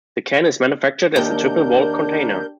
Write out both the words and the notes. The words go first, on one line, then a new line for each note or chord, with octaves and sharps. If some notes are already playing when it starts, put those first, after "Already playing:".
The can is manufactured as a triple-walled container.
D#2 D4 A#4 G6